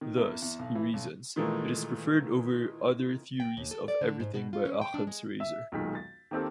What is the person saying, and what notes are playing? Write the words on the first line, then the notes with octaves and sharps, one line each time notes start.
Thus, he reasons, it is preferred over other theories-of-everything by Occam's Razor.
D#3
E2
E2
B1
E3
B1
A#2 D#3 E3 G#3 A3
G5
D#2
A4
D5
D3
G#2
B2
F4
C#4
G5
D4
G#3
E5
B1 A#2 D#3 G#3 B6
A6
D#3 A#3 C4 G4 A4